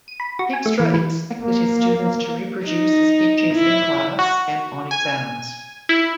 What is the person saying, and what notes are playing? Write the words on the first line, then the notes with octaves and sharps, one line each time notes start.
Keegstra expected his students to reproduce his teachings in class and on exams.
D#7
B5
F#4
G#5
A3
E3
E3
A#3
D#4
E4
F#4
G#5
E4